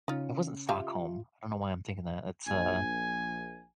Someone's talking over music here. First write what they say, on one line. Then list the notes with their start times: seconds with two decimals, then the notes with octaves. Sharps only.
it wasn't Stockholm, I don't know why I'm thinking that, that's uh
0.08 C#3 C#4 D#4 F4
0.69 F4 G4 E5 F5
2.47 A#1 G#5